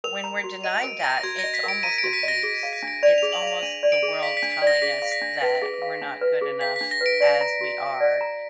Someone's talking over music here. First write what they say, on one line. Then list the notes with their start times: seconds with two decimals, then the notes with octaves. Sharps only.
When we're denied that, it's almost abuse. It's almost the world telling us that we're not good enough as we are,
0.04 A#4 F7
0.24 A#5
0.44 F#4
0.64 D#5 D#7
0.83 A#4 D7
1.04 A#5 A#6
1.23 F#4 G#6
1.39 A#6
1.44 D#5
1.54 B6
1.64 A#4 D7
1.83 A#5 D#7
1.98 D7
2.04 F#4
2.13 B6
2.23 D#5
2.28 A#6
2.43 G#4 A#6
2.63 F5
2.73 B6
2.83 D4
2.88 D7
3.03 D5 F7
3.18 G#4 F7
3.33 F#7
3.42 F5
3.47 F7
3.62 D4 D#7
3.83 D5
3.92 D7
4.02 G#4
4.22 F5 B6
4.37 B6
4.43 D4
4.52 B6
4.62 D5
4.67 A#6
4.82 G#4 B6
5.02 F5
5.12 B6
5.22 D4
5.41 B4 A#6
5.62 G#4
5.82 F5
6.01 D4
6.21 B4
6.41 G#4
6.61 F5 B6
6.76 D4 B6
6.91 A#6
7.01 B4 D7
7.20 D5
7.41 A#5
7.61 F#4
7.81 F5
8.00 D5
8.21 A#5